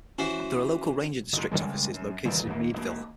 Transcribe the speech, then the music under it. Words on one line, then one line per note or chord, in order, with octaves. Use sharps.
There are local ranger district offices located in Meadville.
E3 C#4 F#4 C5
F#1 C3
C#3 E3 G3 G#3
F#2
D#1 E2 C#3 G3
D#2 A#3
E1 A#3